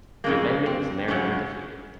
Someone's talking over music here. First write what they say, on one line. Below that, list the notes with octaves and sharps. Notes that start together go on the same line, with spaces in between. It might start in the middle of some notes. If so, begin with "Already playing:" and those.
The amendment was narrowly defeated.
F2 C#3 G#3 A#3
C4
F#2 C#3 G#3 C#4